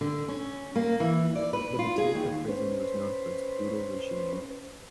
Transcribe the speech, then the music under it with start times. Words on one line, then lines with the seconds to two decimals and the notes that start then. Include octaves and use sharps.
The Butyrka prison was known for its brutal regime.
0.01 D3
0.28 C#4
0.76 A#3
1.00 E3
1.35 D5
1.53 B4
1.79 F4
1.98 G#4
2.15 D#2
2.48 C#4 B4 C5